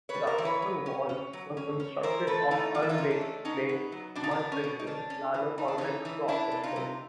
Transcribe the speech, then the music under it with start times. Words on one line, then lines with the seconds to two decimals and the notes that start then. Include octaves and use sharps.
The upper walls were constructed of unbaked clay mudbricks with plano-convex cross-sections.
0.09 B4 C#5
0.15 G3
0.27 A#4 C5
0.38 E3
0.45 B4 C#5
0.62 F#3
0.86 C#4
1.09 C#4
1.33 F#3
1.57 C#4
1.80 C#4
2.03 E3 A#4 C5
2.27 A3 A4 B4
2.51 E3 D#4 F4
2.75 E3 F4
2.83 E4
2.89 D#4 F4
2.98 C#4
3.11 D4
3.21 A3
3.45 B3 C#4 D#4
3.69 B3
3.92 F#3
4.16 B2 D4
4.24 D#4
4.31 D4
4.39 B3
4.52 C#4
4.64 B2
4.79 D#4
4.87 C#4 D4
5.10 C#4
5.34 E3
5.58 E3 D#4
5.68 D4
5.78 E3 C#4 D#4
6.05 E3
6.28 C#4 D4 E4
6.52 C3
6.63 D#4 F4
6.76 C3